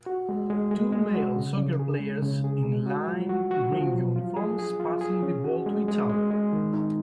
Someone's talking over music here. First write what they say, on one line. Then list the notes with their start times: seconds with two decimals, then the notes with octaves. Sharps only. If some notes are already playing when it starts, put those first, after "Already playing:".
Two male soccer players in lime green uniforms passing the ball to each other.
0.06 F#4
0.29 G#3
0.50 G#3
0.71 G#3
0.92 G#3
1.14 F#4
1.36 C#3
1.57 C#3
1.79 G#4
2.00 G#3
2.22 C#3
2.44 G#4
2.64 G#3
2.86 F#4
3.07 F3
3.29 F#4
3.51 F#4
3.72 F3
3.93 F#3
4.16 F4
4.36 G#4
4.59 G#4
4.80 F4
5.01 G#4
5.23 C#4
5.44 F#4
5.66 G#3
5.88 G#3
6.10 G#3
6.31 G#3
6.53 D#3
6.74 D#4